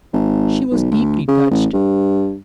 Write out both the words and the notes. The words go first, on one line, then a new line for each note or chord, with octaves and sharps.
She was deeply touched.
G#1
B1
D2
C#3
A1
G2